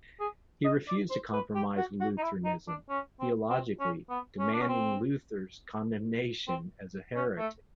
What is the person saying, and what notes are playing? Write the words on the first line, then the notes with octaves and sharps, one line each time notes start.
He refused to compromise with Lutheranism theologically, demanding Luther's condemnation as a heretic.
G#4
D#5
D5
C5
B4
G4
F#4
F#4
D#4
E4
D#4
D4
C#4
C4
C4
C#4
B3
C#4
D4
C#4
C4
C4
C#4
A3